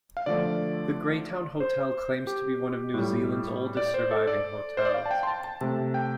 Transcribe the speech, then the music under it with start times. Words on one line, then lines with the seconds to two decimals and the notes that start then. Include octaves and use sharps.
The Greytown Hotel claims to be one of New Zealand's oldest surviving hotels.
0.17 F5
0.26 D3 F3 A3 D5
1.60 C5
2.27 G4
2.94 A2 G3
3.77 D5
3.94 C5
4.11 A4
4.27 D5
4.77 C5
4.85 D5
4.94 F5
5.06 A5
5.11 G5
5.23 C6
5.27 A5
5.44 A5
5.61 C3 A3 A5
5.94 G5